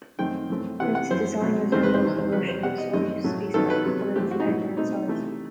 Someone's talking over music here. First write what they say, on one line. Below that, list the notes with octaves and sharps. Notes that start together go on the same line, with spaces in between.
Its design resembles the Russian Soyuz spacecraft, but it is larger in size.
F#2 D#3 A3 C4 G5
F#2 E3 A3 C4
C3 E3 B3 F#5
F#5
F#2 E3 B3 C5
B2 F#3 C4
E2 C3 D#3 A3 C4 C5
B4
C5
E2 C3 D#3
E2 C3 F#3 B4
C5
B2 G3 B3 F#5
D#5
F#2 D#3 A3 C4 D#5
A2 F#3 A3
G2 D#3 F#3 B3 A4
B4
C3 F#3 B3
F#2 E3 A3 C4 G4
F#4
D#4
A2 F#3 B3 E4
B2 A3 C4 D#4
C3 E3 A3